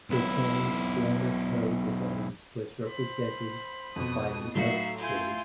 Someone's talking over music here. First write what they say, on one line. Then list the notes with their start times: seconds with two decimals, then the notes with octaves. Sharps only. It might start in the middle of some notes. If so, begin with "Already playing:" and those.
The town's former coat of arms was represented by an oak tree.
0.10 B1 E4
2.88 C5 B5
3.96 F2 B2 D#6
4.55 A2 F#3 D#4 F#4 E5 F5 C7
4.98 E4 F4 G#5 C6 G6